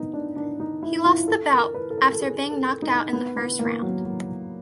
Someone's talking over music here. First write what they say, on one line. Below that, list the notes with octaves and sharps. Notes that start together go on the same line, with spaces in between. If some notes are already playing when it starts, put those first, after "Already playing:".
He lost the bout after being knocked out in the first round.
Already playing: B3 D#4
D4
D4
D#4
E4
F4
A4
A#4
B4
A4
A#4
A4
G#4
A4
D#4
B3
B3
A#3
F#3
F#3